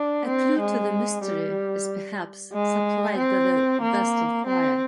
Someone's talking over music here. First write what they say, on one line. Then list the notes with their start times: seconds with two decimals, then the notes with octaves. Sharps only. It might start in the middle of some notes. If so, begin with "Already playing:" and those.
A clue to the mystery is perhaps supplied by the Vestal fire.
Already playing: D4
0.27 C4
0.60 G#3
1.23 G3
2.53 G#3
3.17 C4
3.81 A#3
4.46 C4